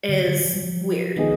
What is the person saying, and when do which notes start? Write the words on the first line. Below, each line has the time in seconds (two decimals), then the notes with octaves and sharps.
is weird,
0.09 D3
0.27 D3
0.45 F3
0.54 G3
0.63 F3
1.16 D#3 B3 D#4 G#4